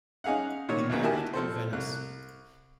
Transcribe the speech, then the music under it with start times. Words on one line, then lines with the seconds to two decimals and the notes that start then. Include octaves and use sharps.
He married in Venice.
0.24 C#4 D#4 G#4 F5 F#5
0.69 A#2 D#3 C#5
0.90 D#2 C#3 F#3 B3
1.02 E4 F#4 G4 A#4 G#5 A5
1.33 F3 A4 C5
1.73 C2 F#6